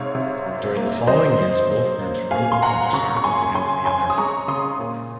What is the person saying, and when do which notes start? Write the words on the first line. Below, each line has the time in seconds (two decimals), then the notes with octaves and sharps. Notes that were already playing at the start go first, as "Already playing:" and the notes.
During the following years both groups wrote and published articles against the other.
Already playing: G#2 C3 C#5 F5
0.15 C3
0.46 F#2
0.76 A#3
1.07 F#3 C5 D#5
1.39 F#3
1.70 A#3
2.01 A#3
2.31 A#2 F5 G#5
2.52 C6
2.62 A#2 F#5 A#5
2.93 C#3 A#5 C#6
3.17 C#6
3.24 F#2 G#5 C6
3.55 C#4 G#5 C6
3.86 C#4 G#5 C6
4.10 D#6
4.18 G#3 A#5 C#6
4.48 C#3 C6 D#6
4.79 A#2